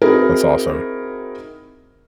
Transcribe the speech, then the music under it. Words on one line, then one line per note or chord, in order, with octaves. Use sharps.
that's awesome.
C4 D#4 E4 F#4 G#4 A#4